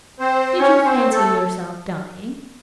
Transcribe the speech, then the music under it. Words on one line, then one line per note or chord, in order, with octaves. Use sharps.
"Did you fancy yourself dying?"
C4 C5
C#4 C#5
C4 C5
A3 A4